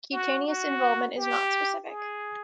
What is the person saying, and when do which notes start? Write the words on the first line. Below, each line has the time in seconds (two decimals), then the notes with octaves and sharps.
Cutaneous involvement is not specific.
0.13 F#4
0.47 F#4
1.18 G4
1.88 G#4